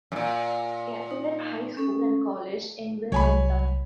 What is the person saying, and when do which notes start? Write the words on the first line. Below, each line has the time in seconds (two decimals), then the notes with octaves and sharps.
She attended high school and college in Wilmington.
0.12 F#2 A#2
1.11 D#4
1.77 C#4 A4
3.12 C2 F#3 C#5 G#5 B5